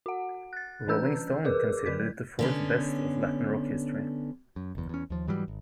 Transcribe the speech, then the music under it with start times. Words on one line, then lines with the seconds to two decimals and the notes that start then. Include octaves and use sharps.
"Rolling Stone" considered it the fourth-best of Latin rock history.
0.06 F#4 F#5
0.53 F#6 A6
0.88 E3 C#4 D4 B4 E6 G6
1.45 G#4 A#4 B4 D6
1.86 D3 F#3 A#4 B4 B6
2.39 D3 B3 C#4
4.56 F#2
4.75 F#1 E2
4.89 E2 C#4
5.10 D#2 F3
5.28 G#2 E3 F#3 G3
5.48 G#1